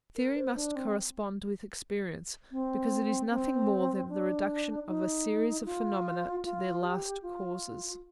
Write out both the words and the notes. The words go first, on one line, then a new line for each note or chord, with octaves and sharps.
Theory must correspond with experience, because it is nothing more than the reduction of a series of phenomena to their last causes.
A#4
C5
D4
C4
C4
C4
D4
D#4
F4
F4
G4
F4